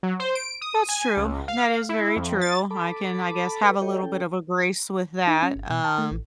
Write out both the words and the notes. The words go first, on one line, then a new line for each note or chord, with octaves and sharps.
That's true. That is very true, I can, I guess, have a little bit of a grace with that, um,
F#3
C5
D7
D#6
G#5
C#2
F5
E4
F2
A6
A4 A5 B5 D6
A4 B4
F#4 G4 A4 C#5 D#5 G5
C#4 A4 G5
D#4
C#4
G1
B2
A5
A3
A1